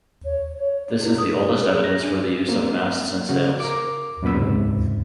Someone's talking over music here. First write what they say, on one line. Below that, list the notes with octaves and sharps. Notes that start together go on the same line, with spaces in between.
This is the oldest evidence for the use of masts and sails.
C#5
C#5
E4
D#6
G#4
A#6
D4
A#3 C4
C#3 F#4
A#4 D6
F#2 A#2 B3 B5 E6
C#2 G#2 C3